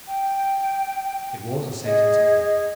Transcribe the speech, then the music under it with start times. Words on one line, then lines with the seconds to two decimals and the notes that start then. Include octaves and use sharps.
It was a sentence of death.
0.07 G5
1.85 G#4 D#5